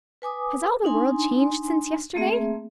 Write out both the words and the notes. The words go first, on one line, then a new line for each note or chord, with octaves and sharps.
Has all the world changed since yesterday?
B4 G#5 D6 D#6
D4 D#4 G#5 C6
A3 A#3 C4 G#4 E5